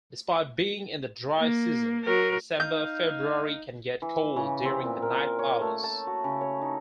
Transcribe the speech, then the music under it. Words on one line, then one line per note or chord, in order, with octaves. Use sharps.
Despite being in the dry season, December-February can get cold during the night hours.
A#3
F#3 A#4
D#4 F5 G6
E3
C#3
C4
A#2
A#4
C#5
A3
A5
F#4
C#3
C#5
D#4